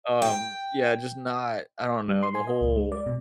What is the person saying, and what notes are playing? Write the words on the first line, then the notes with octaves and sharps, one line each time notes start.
um, yeah, just not I don't know, the whole
G5
G3
C6
G#5
D#5
C#2
G#3
D5
B2